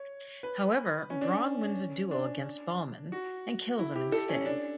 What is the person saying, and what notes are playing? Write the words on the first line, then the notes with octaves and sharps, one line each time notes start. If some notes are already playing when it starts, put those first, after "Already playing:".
However, Bronn wins a duel against Balman and kills him instead.
Already playing: C#5
B4
C#4
D4
C#4
D4
F#4
E4
G4
A4
C#4
D4